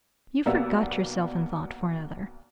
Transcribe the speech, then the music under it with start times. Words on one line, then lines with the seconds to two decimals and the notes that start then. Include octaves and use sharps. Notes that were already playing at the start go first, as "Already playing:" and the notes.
You forgot yourself in thought for another.
0.46 B1 A#3 B3 G4 D5 E6